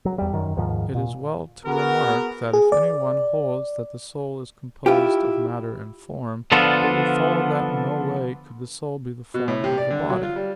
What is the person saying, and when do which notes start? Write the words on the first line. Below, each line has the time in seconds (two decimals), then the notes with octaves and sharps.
It is well to remark that if anyone holds that the soul is composed of matter and form, it would follow that in no way could the soul be the form of the body.
0.05 F#3
0.18 E2 G3
0.33 F#2 D#3
0.57 D#2 G#2 D#3 F3
0.95 A#2
1.66 B3 F#4 G#4 A#4
2.53 G#4
2.72 D5
4.86 E4 F4 G4
6.52 D3 F3 B3 D4 F4 A4
9.34 B2
9.48 A2
9.64 C3
9.78 D5
9.90 D3
10.10 F#3
10.23 F4
10.36 G3